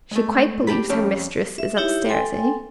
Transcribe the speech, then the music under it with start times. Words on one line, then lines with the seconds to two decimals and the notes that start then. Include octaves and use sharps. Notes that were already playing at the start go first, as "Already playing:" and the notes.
'She quite believes her mistress is up stairs, eh?'
0.11 G#3 A3
0.67 G4 G5 A5 B5
0.89 F2 C#4 G4 A5
1.58 E5
1.77 D#4 E4 G4 C#5 E5
2.08 A4 G5 G#5 C6